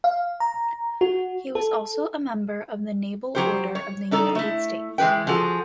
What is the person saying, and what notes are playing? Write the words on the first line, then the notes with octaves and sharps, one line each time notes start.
He was also a member of the Naval Order of the United States.
F5
A#5
F#4
A4
F#3 G4 C5
C#5
D4 D#4 A4 D5
A3 E4
E3 G#3 G#4 B4 G5
F3 F#4 G#4 A4